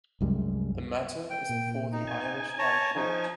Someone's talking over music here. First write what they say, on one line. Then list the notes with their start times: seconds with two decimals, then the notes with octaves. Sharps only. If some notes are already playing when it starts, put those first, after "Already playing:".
The matter is before the Irish High Court.
0.21 C2 F#2 G3 G#3
1.30 G5
1.49 A#2
1.92 D#4
2.07 G#5
2.58 C#5 A5 A#5
2.96 F3 D#4